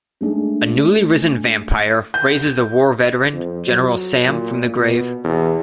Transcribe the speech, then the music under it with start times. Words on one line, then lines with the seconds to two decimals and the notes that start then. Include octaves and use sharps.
A newly risen vampire raises the war veteran General Sam from the grave.
0.21 G#3 A3 D4 G#4
2.14 G6
3.33 F2
3.67 F#3
4.27 A#2
4.80 B2
5.24 E2